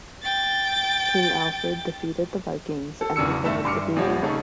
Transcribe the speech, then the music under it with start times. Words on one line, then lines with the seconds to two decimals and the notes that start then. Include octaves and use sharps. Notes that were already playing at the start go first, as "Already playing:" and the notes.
King Alfred defeated the Vikings and recovered the booty.
0.22 G5 A6
3.01 A4
3.16 D1 E2 C#3 D4 E6 C#7
3.45 G1 D#3 A3 A4 E5 E7
3.64 G1 G2 C6 D6 F6 C#7
3.96 D#1 F3 G3 C#5 F#5
4.22 C#3 A3 C#4 D#4 G#4